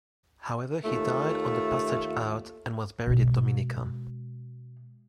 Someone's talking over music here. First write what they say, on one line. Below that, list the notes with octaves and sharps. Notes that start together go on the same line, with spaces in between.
However, he died on the passage out and was buried on Dominica.
D#2 A3 F4
B2 G#3